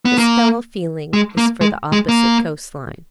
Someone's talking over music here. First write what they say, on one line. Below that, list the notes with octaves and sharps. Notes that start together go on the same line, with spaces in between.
His fellow-feeling is for the opposite coast-line.
B3
A#3
G#3
A#3
G#3
G#3
A#3